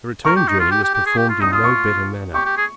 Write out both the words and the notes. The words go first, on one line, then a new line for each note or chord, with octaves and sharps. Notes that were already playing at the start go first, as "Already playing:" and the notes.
The return journey was performed in no better manner.
A#4 C#6
G4
D#4
F4
G4
G4
G4
G#4
G4
F4
D#4 D#6
F4 D#6
C#6
G4 C#6
G4
G#4